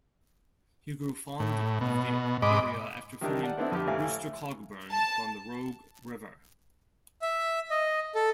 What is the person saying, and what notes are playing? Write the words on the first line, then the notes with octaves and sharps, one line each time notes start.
He grew fond of the area after filming "Rooster Cogburn" along the Rogue River.
A2
B2
G#2 D#5 B5 D6
D#3 E3 G3 D4 G4 A#4
D5 F#5 A5
A3 B3 C4 D4 E4
F2 D3 G4
A1 E3 A3 E4 F5 G#5
A5
E5
D#5
A4